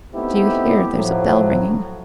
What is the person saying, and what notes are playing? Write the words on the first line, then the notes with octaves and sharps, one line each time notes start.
Do you hear, there's a bell ringing?
A3 B3 C4 D#4 E4 G4
A2 F3 F#3